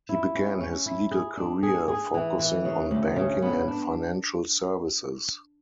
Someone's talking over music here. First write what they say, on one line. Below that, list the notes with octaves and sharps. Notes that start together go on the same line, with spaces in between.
He began his legal career focusing on banking and financial services.
E4
C#4
C#4
E4
G#4
D4
G#4
G#4
E3
E3
C#3
D2
C#3
B3
D4